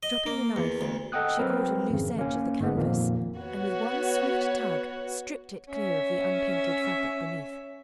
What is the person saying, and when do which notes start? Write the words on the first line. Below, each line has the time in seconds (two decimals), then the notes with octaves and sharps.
Dropping the knife, she caught a loose edge of the canvas and with one swift tug stripped it clear of the unpainted fabric beneath.
0.03 D#5
0.26 A#3
0.56 E2
0.81 D2
1.12 A4 D#5 F#5 G5 D#6 F#6
1.39 F#3 C4 A#4 B4
1.90 G#1 F2 C#3
2.19 A#3 C#4
2.59 G1 G#2 G#3 B3
2.75 F2 A#2 D#3 F3 A#3
3.39 B3 F#4 C#5
5.70 C#4 E5